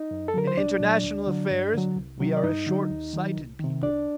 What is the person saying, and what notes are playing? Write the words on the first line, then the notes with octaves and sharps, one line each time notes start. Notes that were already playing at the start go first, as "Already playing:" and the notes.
In international affairs we are a short-sighted people.
Already playing: D#4 D#5
F#2
A4
D3 F#3 A#4
C5
C2 D4 D5
A#2 F#3
D2
D3 F#3
G2
D3 F#3
C2
C3 D#3 F#3
D5
G2 D#4 D#5
D3 F#3
D#2
D#3 F#3
C2
C3 D#3
C2 D4 D5